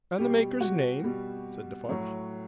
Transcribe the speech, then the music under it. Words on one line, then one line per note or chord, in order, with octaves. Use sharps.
"And the maker's name?" said Defarge.
B2 G3 G4
F#4
B2 G3
A2 F#3